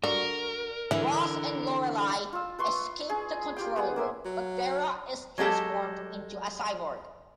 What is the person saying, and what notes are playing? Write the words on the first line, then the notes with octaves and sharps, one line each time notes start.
Ross and Lorelei escape the control room, but Vera is transformed into a cyborg.
D3 F#4 A#4
D3 E3 E4
F4 E6
B4 C6 C#6
G#4
F4 G4 G5
B3 G#4 F#5
A#3 C5 E5
F#3
F#3 G#3 G4 A4